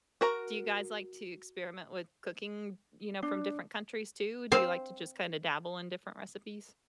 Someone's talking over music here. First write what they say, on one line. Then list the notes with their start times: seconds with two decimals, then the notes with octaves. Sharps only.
do you guys like to experiment with cooking, you know, from different countries, too? Do you like to just kinda dabble in different recipes?
0.21 F#4 A#4 A#5
3.23 D4
4.52 C4 F5